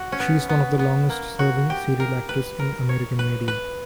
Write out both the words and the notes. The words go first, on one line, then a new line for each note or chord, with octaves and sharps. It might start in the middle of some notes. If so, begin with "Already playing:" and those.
She is one of the longest-serving serial actors in American media.
Already playing: F#4
C#4
B3
B3
B3
A#3
F#4
G4
A#4
B4
A#4
C#5
B4
B4